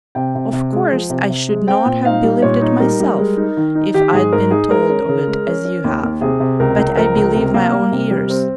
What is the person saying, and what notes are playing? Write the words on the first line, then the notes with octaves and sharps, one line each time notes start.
Of course I should not have believed it myself if I'd been told of it as you have, but I believe my own ears.
C3 G5
C3
C3
G#3
F3
C3
C3
G#3
C4 G5
A#2
D#4 F5
G3
A#2 C#5
D#4
G3 A#4
G3
G#3
D#4
D#3
D#4
D#3 G4
G#2 G#4
G#2 A#4
D#4 G#4
G#3 A#4
C#4
C#3
G#3
C#4
C#4
D#2
D#2
C3 G#4
C3
C#2 A#4
C#2
F3 A#4
C#2
C3
A#3
G3
C3
G3
C4